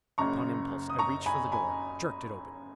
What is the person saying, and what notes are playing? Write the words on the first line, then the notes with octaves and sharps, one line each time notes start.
Upon impulse I reached for the door, jerked it open.
F#1 F#2 C#3 A#5 C#6
D#6
A#5 C#6
G#5 B5
G#5 B5